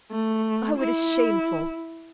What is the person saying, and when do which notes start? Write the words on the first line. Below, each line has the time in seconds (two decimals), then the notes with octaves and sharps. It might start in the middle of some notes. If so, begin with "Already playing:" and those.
Oh! it is shameful!
0.11 A3
0.78 E4